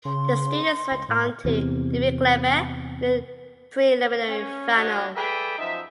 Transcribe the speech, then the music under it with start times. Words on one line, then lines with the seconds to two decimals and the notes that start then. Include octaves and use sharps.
The Students went on to defeat Glebe in the preliminary final.
0.05 C#3 C6
0.92 C#2
1.09 A2 C6
1.45 E2 C3
4.28 C#4
4.75 D4 F#4 C#5 D#5
5.15 G#4 A4 B4 D5 E5 G5
5.58 F#2 F3 D#4 E5